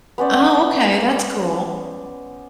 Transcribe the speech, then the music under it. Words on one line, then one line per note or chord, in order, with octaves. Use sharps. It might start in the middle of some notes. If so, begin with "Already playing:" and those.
Oh, okay, that's cool.
B3 C#4 C5 D5